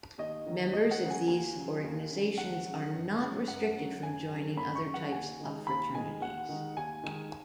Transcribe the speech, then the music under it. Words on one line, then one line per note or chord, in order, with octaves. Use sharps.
Members of these organizations are not restricted from joining other types of fraternities.
D#2 D#5
D#3 F#3
D#2 D#5
F#5
C#3 F#3
G#5
D#2 G#5
C#3 F#3
D#2
C#3 F#3
D#2 F#5
C#3 F#3
F#2
C#3 F#3
F#2 F#5
C#3 F#3
F#2 G#5
C#3 F#3
F#2 B5
C#6
C#3 F#3
F#5
D#2 G#5
D#3 G#3
D#2 B5
D#3 G#3 G#5
D#2 F#5
D#3 G#3
D#2 G#5
D#3 G#3